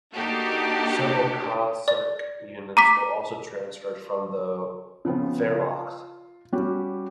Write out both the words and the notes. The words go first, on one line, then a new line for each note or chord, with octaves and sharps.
Several Cossack units were also transferred from the Wehrmacht.
A#3 D4 D#4 F#4 G4 A4
D5
A#5 D6 B6
C#3 F3 B3 C4
F4
G3 C#4 F#4 G4